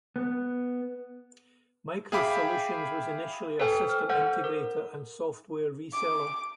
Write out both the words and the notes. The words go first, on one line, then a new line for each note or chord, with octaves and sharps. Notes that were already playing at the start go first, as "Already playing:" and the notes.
MicroSolutions was initially a system integrator and software reseller.
B3
G#4 E5 F5 G5 B5 D6
A4 B4 C5 G5 G#5
F6
A4 C5 F#5 G6
A#4
D6